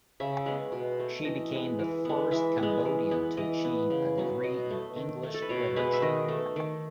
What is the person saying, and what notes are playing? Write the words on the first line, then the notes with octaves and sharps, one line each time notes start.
She became the first Cambodian to achieve a degree in English literature.
C#3 E5
G#3 B3
B2
A3
E3 D#5
G#3 B3
E3
G#3 B3
E3 E5
G#3 B3
E3
B3
E3 D#5
B3
C#3
F#3 B3
B2 D#5
A3
D#3
A3
A4
B4
B2 C#5
G#3 B3 B4
E5
D#3 D#5
A3
D#3